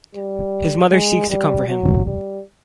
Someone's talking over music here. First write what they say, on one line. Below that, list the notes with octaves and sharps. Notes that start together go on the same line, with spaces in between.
His mother seeks to comfort him.
G3
G#3
G3
F#3
G3